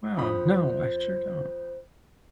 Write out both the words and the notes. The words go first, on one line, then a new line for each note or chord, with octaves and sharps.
Wow, no, I sure don't.
F2 C5 B5 D#6